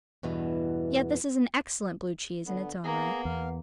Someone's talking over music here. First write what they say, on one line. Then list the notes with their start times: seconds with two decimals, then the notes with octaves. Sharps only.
Yet this is an excellent, Blue cheese in its own right.
0.23 E2 G2 B2 E3
2.47 D3 B3
2.85 A#3 B3 G#4 A#5
3.25 E2 F5